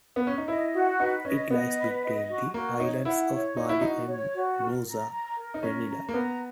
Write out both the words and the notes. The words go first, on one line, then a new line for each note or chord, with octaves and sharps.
It lies between the islands of Bali and Nusa Penida.
B3
C#4
D#4
E4 D#5
F#4
D#4 B4
C#4 D#5
B3 D#5
B4
D#5
F#4
A#3 F#4
D#4 C#5
E4 F#5
C#5
D#4 F#4
E4
D#4 F#4
C#5
F#4
A#4
A#5
A#5
A#4
D#4
C#4 A#4
A#5
A#3
B3 A#5